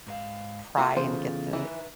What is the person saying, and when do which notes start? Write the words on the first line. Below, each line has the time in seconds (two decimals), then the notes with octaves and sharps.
pry and get the
0.07 G#2 A#4 F5
0.77 A#3 C4 F4 F#4 A4 F5
0.97 E2 C#3 C5
1.53 E3 D#4 B4 E5